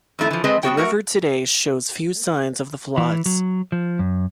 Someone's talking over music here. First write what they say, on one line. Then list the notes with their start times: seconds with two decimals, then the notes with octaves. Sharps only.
The river today shows few signs of the floods.
0.19 F2 D#3 A3 E4
0.31 E3 F3
0.44 G#3 C4 G#4 A4 B4 D#5
0.63 F#3 B3 F#4 G5
0.77 A3 F#4 A#4 E5 F#5
2.98 E3
3.26 F#3
3.72 F3
3.99 F#2